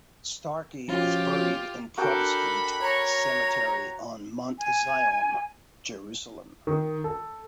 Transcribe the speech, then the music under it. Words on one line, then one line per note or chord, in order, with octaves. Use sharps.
Starkey is buried in Protestant Cemetery on Mount Zion, Jerusalem.
F3 F#3 C#4 F4 G4
D4 F#4 A4 A#4 G5 B5
C#5 A#5
G#5
D#3
A4